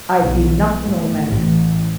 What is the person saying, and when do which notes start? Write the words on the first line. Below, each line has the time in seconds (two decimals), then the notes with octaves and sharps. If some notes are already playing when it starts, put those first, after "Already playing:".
I did not know, madam.
0.24 B1
0.84 A2
1.30 A1